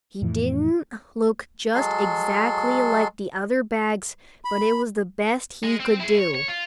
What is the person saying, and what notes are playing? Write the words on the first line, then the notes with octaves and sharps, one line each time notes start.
He didn't look just exactly like the other bags but it was the best he could do.
F2 A2 E3
F#3 G#3 A4 C6
B5
G#3
C4
E4 G#4
C#5
C#5
F4